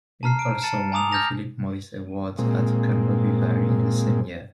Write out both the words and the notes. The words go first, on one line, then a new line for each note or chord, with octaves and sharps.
It also won the Philip Morris Award at Karlovy Vary in the same year.
A5 A#5 F6 C7
D7
A5 A6 C#7 E7
G#5 A#5 D6 D#6 F7
F6 G6 A6 A#6 F7
A#2 G#3 C4